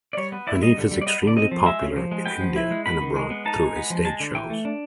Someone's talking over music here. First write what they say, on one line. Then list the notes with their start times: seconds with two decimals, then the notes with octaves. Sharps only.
Haneef is extremely popular in India and abroad through his stage shows.
0.13 D5
0.17 G3 C#5
0.32 B3
0.47 E4 D5
0.62 G3 D#5
0.77 D3
0.91 G3
1.01 D5
1.07 B3 D#5
1.22 D3
1.27 D5
1.37 C4 D#5
1.51 F3
1.66 G#3 E5
1.81 C#3
1.96 F3
2.11 G#3
2.26 B3 G5
2.40 F3
2.56 E4
2.71 G#3
2.86 B3 B5
3.01 D#3
3.16 G#3
3.30 B3
3.45 D#4 A5
3.60 G#3
3.76 B3
3.90 F3
4.05 G#3 A5
4.20 D3
4.35 E3 G5
4.50 A3
4.65 D4